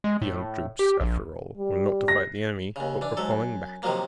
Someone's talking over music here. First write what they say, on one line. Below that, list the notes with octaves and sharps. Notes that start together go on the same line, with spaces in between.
The young troops, after all, were not to fight the enemy, but were falling back.
G#3
A2
G4
A#1
G3
A#6
D#2 C#3
E3 D4
G#2 F#3 A4
F#2
C3 D#3 F3 F#3 A#3